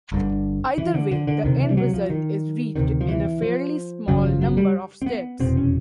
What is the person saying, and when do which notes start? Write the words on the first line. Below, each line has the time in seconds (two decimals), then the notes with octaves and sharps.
Either way, the end result is reached in a fairly small number of steps.
0.12 G1 G2 D3
0.78 E3
0.94 D3
1.11 D3
1.27 D3
1.44 C#2 C3 D#3
1.60 E3
1.71 G3
1.77 F#3
1.93 F3
2.10 D#3
2.76 D2 C3 D#3
3.01 F3
3.08 E3
3.42 F3
4.08 G#1 F#2 C#3 F#3
4.25 F3
4.41 F#3
4.57 G3
5.02 C4
5.06 B3
5.40 F1 E2 B2 C4
5.57 C#4